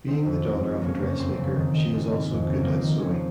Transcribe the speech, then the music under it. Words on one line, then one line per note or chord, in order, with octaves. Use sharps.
Being the daughter of a dressmaker, she is also good at sewing.
D#3 C4
F2
F#2
F#2
F2 A#3 C#4
C#3 A#3 C#4
C#3 C4
C#3
D#3
D#3
G#2
G#2
F2
C#3
D#3 A#3 C4
D#3
C#4
F2 C4